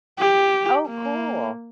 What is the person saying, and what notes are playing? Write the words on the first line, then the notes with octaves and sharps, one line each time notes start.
Oh, cool.
G4
A#3